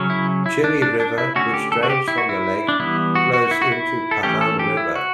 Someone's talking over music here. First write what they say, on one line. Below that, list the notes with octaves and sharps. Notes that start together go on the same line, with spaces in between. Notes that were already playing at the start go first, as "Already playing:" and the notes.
Chini River, which drains from the lake, flows into Pahang River.
Already playing: C#3 F#3 C#4
E4
E4
D4
D4
D4
E4
D3 A3 C#4 F#4
G4
A4
F#4
G4
E4
F#4
E4
D4
E3 G3 B3 E4
F#4
F#4
E4
F#4
E4
A4
E3 A3 C#4 G4
A4
G4
E4
F#4